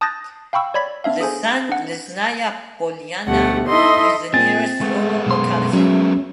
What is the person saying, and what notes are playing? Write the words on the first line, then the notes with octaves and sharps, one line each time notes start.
Lesnaya Polyana is the nearest rural locality.
A5 D#6 F#6 G6 A6 A#6
F5 G5 B5 C#6 E6
C#5 D5 B5 G#6 B6
B3 D4 E5 F5
G#4 A4 C5 G#5
D4 F#5
D2 B2 G3 A3 F#5
D#4 E4 A4 D#5 C6
A#2 C4 G#4 A6
G#3 A3 B3
B1 F#2 C6
F#3 G#3 C#4 E5